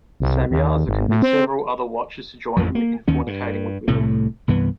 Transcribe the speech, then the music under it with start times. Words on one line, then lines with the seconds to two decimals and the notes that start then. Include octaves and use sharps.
Samyaza convinced several other Watchers to join him in fornicating with women.
0.20 C2
0.51 D#2
0.87 G#1
1.08 A2
1.22 C4
2.57 A1 F2 F3
2.75 A#3
3.08 D#2 D#3 C#4
3.27 G2
3.88 C2 A2 C3 A3
4.48 C2 G2 E3 B3